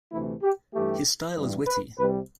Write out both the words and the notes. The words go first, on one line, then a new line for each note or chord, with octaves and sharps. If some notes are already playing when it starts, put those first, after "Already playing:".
His style is witty.
D2 C3 E3 A3 E4
G4
G2 E3 A3 G4
G2 E3 G3
B4
C2 C3 G3 B4